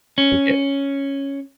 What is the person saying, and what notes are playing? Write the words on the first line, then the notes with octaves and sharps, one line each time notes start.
And get
C#4